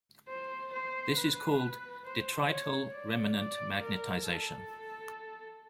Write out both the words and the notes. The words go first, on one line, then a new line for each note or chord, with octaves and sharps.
This is called "detrital remanent magnetization".
C5
C5
B4
C5
C#5
D5
D5
A#4
A4